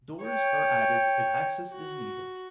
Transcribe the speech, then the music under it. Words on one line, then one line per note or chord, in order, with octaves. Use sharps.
Doors are added if access is needed.
C#5 G5
F#4